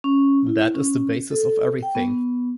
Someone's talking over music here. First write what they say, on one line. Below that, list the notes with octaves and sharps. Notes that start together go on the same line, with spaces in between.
That is the basis of everything.
C#4
E4
C#4
A4
G5
B3